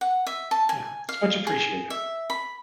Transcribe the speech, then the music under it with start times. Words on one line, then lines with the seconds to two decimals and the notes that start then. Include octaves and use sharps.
Yeah, it's much appreciated.
0.01 F#5
0.27 E5
0.51 A5
0.69 G#5
1.09 F5
1.47 G#4
1.90 E5
2.30 B5